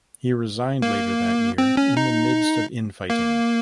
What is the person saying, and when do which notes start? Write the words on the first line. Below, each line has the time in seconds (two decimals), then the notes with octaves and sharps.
He resigned later that year in the midst of infighting.
0.82 A#3
1.58 C4
1.77 C#4
1.97 D#4
3.10 A#3